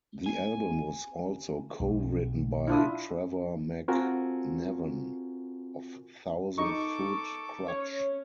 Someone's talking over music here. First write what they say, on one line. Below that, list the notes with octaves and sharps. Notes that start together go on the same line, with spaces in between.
The album was also co-written by Trevor McNevan of Thousand Foot Krutch.
G#5
B1
D4 E4 F4 D#6
C4 F4 F#4 A4 A#4 G#5
D#4 A4 D#5 C#6 D6
C#4 C#5